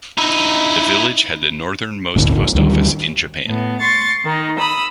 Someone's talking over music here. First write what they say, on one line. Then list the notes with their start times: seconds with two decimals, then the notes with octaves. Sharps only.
The village had the northernmost post office in Japan.
0.18 D#4 E4
2.16 D#1 G#1 D2
2.55 D2 D#3 G3
3.47 A2 B3
3.80 C6 C#6 A6
4.25 D#3 D#4
4.58 B5 D#6 E6